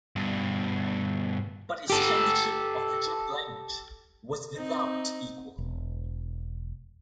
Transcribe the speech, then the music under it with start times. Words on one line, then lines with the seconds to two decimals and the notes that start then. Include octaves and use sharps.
But his championship of the German language was without equal.
0.16 G2 B2
1.90 G4 A4
4.56 C4 D#4
5.58 E1